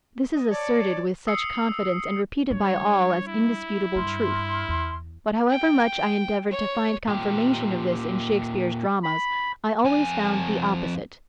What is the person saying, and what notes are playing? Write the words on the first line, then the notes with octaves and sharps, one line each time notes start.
This is asserted with such confidence and repeated by all as indisputable truth; but however much I endeavored to find confirmation of this in Shakespeare's dramas, I always found the opposite.
D#5
C#5 D5 A5
D#6 E6 C7 C#7
G3 D4 C#5
E4
G2 G3 C6 F6
E2
G5
C#5
A#2 G4
B5
F2 G#5